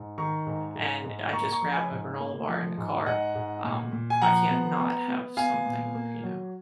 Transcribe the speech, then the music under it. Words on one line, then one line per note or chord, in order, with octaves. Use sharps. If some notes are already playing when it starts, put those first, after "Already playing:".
and I just grab a granola bar in the car, um, I can't not have something, you know,
Already playing: G#2
D#3 A#5 C#6
G#2
G#2
G#2
A#3 A#5 C#6
A#5 C#6
F3
G#5 B5
G#2
A#3
F3
G#2
G#2 D#5 F#5
G#2
A#2
A#2
G#5
F3 F#5 A#5
B3
B3
B3
B3 F5 G#5
A#2
A#3
F#3